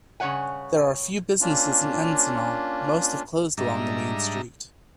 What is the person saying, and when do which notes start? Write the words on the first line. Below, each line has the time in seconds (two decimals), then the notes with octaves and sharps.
There are few businesses in Encinal; most have closed along the main street.
0.20 G2 C#3 D4 C#5 F#5 G#5
1.41 A#3 C#4 D4 F4
3.58 G#2 G3 D4 D#5 E5 A#5